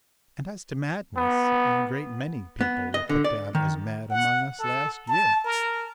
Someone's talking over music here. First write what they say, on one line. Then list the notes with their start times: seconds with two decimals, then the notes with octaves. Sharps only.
And as to madness, a great many people were put down as mad among us last year.
1.16 B3
2.61 B3
2.94 D#5
3.09 D3
3.24 D5
3.55 D#3
4.11 F#5
4.59 A4
5.08 A5
5.45 A#4